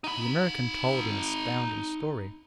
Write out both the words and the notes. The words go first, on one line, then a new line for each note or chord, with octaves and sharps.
The American told an astounding story.
D#4 B5